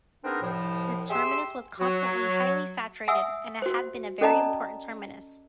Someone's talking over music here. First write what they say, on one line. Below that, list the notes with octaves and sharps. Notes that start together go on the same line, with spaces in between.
The terminus was constantly highly saturated and it had been a very important terminus.
B3 C4 D4 D#4 G#4 A#4
C2 A2 F3
G4 G#4 E5 C6 E6
F#3
E5 F#5 G#5 D#6 E6
F#4 C5
C#4 A4 D5 D#5 A5 A#5